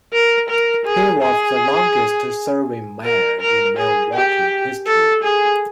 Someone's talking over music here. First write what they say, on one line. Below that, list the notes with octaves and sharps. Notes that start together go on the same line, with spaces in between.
He was the longest serving mayor in Milwaukee history.
A#4
A#4
G#4
G#4
A#4
A#4
G#4
G4
A4
G#4